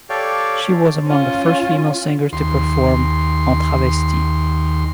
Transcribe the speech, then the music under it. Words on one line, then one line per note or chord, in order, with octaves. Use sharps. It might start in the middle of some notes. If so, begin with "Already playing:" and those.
She was among the first female singers to perform "en travesti".
G4 A4 C#5 D5 F5 G5
C#4 F4
D#2 C6